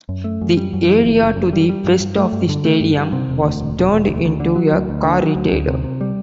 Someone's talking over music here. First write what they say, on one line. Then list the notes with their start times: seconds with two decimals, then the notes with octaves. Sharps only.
The area to the west of the stadium was turned into a car retailer.
0.09 F#2
0.24 A3
0.41 F#2
0.57 G3
0.73 F#2
0.89 E3
1.04 F#1
1.21 F#1
1.36 F#2
1.53 G3
1.69 G3
1.84 G2
2.00 G2
2.17 A3
2.32 G2
2.49 D3
2.65 A3
2.80 G2
2.97 G2
3.12 C3
3.29 E1
3.44 D2
3.60 E1
3.77 E1
3.92 E1
4.08 D2
4.25 D2
4.40 D3
4.56 F#3
4.73 D2
4.89 D2
5.05 D3
5.20 F#3
5.36 D2
5.53 D2
5.68 C3
5.84 C3
6.01 G3